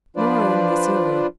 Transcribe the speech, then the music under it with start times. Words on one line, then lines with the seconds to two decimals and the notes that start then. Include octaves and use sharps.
Nor only so.
0.17 F3 D4 F4 B4 C5 D5